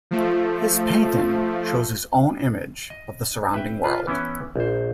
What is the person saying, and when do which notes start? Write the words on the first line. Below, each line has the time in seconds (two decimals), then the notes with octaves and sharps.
His painting shows his own image of the surrounding world.
0.11 F3 A3
2.90 D#5
3.54 B4 E5 G5
3.84 F4 B4
4.07 E3 B3 C#4 E4
4.56 A#1 C5